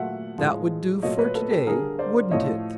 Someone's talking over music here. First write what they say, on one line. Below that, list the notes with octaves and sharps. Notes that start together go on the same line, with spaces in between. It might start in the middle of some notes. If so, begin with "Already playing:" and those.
That would do for to-day, wouldn't it?
Already playing: A#2 F#3 A3 E5 F#5
A2 F3 G#3
A#2 F#3 A3 C#5 D#5
B4 C#5
A4 B4
G4 A4
D3 G3 G#4 A#4
C5 D5
A2 F3 A3 C#5 D#5